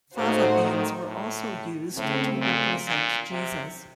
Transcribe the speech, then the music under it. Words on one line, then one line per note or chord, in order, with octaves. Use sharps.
Fava beans were also used to represent Jesus.
A2 C#3 A3 D#4 F#4 C5
D#3
A2
A2 C#3 A3 C4
A#2
A#2
C3